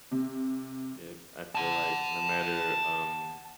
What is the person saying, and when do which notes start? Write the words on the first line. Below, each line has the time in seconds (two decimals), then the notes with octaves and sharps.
Yep. I feel like no matter, um
0.11 C3
1.55 F#5 A5